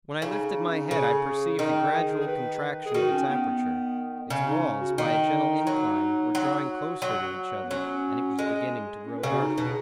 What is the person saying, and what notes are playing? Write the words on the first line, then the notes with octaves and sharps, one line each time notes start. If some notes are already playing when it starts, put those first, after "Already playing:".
When I lifted my head I perceived the gradual contraction of its aperture. Its walls, by a gentle incline, were drawing closer to each other, and it was beginning to grow darker.
C#3 D#4
D#4
C#4
D#4
C#3 G#4
G#4
D#3 D#4
G#4
G#4
B4
G#4
D#3 F#4
C#4
B3
B3
C#3 C#4
D#4
F#4
D#3 D#4
F#3
F#3
F#3
B3
F#3 C#4
G#3
C#4
B4
C#3 G#4
F#4
D#4
B2
G#4